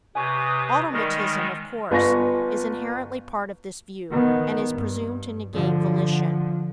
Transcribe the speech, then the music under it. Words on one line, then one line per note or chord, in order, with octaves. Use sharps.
Automaticism, of course, is inherently part of this view, and is presumed to negate volition.
C3 B4 C#5 G#5 D#6
D#3 G3 G#3 D#4 A#4
G1 B3 F4 G#5 C#6 A#6
D#3 B3
G2
D3 F3